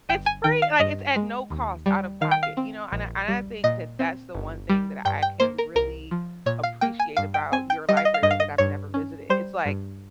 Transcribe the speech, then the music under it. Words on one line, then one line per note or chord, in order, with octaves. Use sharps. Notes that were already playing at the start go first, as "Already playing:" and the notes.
It's free like, it's at no cost out of pocket, you know? And I and I think that that's the one thing that I can really appreciate about your library that I've never visited. It's like,
G1 G5
G#5
D#3 G5
F5
G2 D#5
G#3
D#2
G3
D#3 F5
G5
F5
C4
A#1
G3
A#2 D#5
C4
G1
G3
G2 G5
G5
A#3 C5
A#4
C2 A#4
F3
A#2 C#5
F5
A#3 G5
G#5
G2 F5
G5
C4 G#5
G5
G3 D#5
F5
D#5
F5
G2 D#5
F5
D#5
G2 C#5
C#4
G3 C5
G2